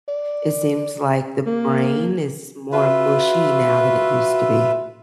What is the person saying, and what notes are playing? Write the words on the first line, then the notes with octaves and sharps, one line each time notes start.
it seems like the brain is more mushy now than it used to be.
D5
A#3
F4 F#4 B4 E5